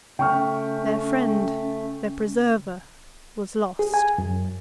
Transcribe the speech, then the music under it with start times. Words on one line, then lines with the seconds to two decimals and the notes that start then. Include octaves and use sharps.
Their friend, their preserver, was lost!
0.19 C#3 A3 C#4 G5 C#6 F6
3.79 G#4
3.94 G#5
4.18 F#2